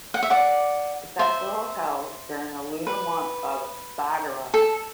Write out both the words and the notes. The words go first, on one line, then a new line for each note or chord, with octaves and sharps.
The festival is held during the lunar month of Bhadra.
F#5
E5
D5 F#5
C5 E5
B4
A4